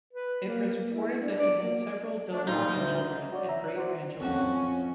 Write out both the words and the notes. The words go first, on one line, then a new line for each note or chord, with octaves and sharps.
It was reported that he had several dozen grandchildren and great-grandchildren.
B4
A#3
A#3
E4
D4
D5
A#3
D5
A3 D4
A#2 G3 D#4 F4
D2 G6
F#4 C#5 D5
E5 A#5
F#6
F#4 C5 D5
F2 C#4 F#4